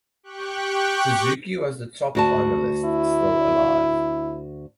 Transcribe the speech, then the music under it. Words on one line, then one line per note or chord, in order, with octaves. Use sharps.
Suzuki was the top finalist still alive.
G4 G5 C#6 F#6
D2 F#4 A5
E4